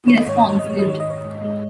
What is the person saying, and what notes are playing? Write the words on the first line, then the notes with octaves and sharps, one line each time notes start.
He responds Didn't.
D#3 C#5
D#5
G#2 C#5
D#5
G#2 C#5
D#5
G#3 C#5
D#5
D#3 C#5
D#5
G#2
C#5
G#2
G#3